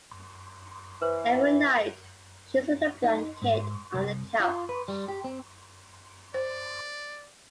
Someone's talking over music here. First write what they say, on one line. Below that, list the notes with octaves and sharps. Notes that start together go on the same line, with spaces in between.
Every night, she is with a blanket on the couch.
E3 B4 C5
D#4
G#2
C2
F4
B4
G3
G4
C4
C5 D5